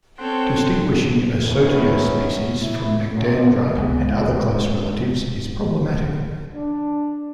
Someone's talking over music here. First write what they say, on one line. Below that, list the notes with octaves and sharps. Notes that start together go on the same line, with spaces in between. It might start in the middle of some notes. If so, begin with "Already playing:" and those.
Distinguishing "Ocotea" species from "Nectandra" and other close relatives is problematic.
C4 A4 C5 C#5 F#5 G5
D#3 F#3 B3 C#4 E4
E4
F#2 A#2
F1 C#2 G#3 B3
G#3
D4